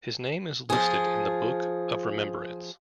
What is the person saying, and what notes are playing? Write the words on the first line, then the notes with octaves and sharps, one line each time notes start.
His name is listed in the Book of Remembrance.
F3 G#4